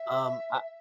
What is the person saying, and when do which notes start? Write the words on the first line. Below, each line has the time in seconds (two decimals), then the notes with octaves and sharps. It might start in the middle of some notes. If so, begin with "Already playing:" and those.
Um, I
Already playing: E5